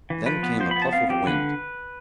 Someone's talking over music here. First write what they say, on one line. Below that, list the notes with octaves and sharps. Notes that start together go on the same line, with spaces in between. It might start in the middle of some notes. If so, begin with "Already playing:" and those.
Then came a puff of wind.
E3
F3 B4
B3
F3 C5
B3 B5
A5
C4 F5
F3 G4
D3 B4